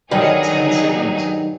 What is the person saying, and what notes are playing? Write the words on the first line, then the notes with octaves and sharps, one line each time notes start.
He had ten siblings.
G2 D#3 F#3 D#4 G#4